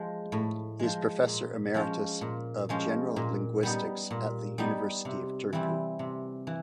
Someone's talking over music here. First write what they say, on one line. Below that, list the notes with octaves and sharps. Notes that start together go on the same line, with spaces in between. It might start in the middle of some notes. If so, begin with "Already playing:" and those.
He is professor emeritus of general linguistics at the University of Turku.
Already playing: F3 G#3
A2
F3 G#3
A#2
F3 G#3 C#4
A#2
F3 G#3 C#4
A#2
G3 B3 D#4
A#2
G3 B3 D#4
C3
E3 G3 C4 E4
C3
E3